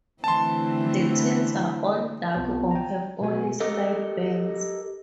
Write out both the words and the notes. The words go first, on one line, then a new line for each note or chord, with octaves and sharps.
The tails are all-dark or have only slight bands.
D3 E3 A3 C4 A5 C6
B1 B3 C4 F4 C#5 A5
G5 A#5
B2 F#3 B3 F#4 G#5
G4 A4 A#4 D#5